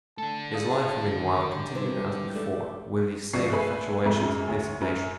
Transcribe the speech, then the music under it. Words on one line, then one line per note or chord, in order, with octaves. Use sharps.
His life meanwhile continued as before, with the same infatuations and dissipations.
A3 D4 A4 A5
G#4 F5 A5 D#6
D#3 G4
D#3 E3 G3 E4 C5
A3 D5
G1 C#2 F3 D4 C#6 C7
A3 G#4 B4 E5
C2 F2 G#2 A3 A#5
F#2 G#3
D2 G#4 C#5
F#2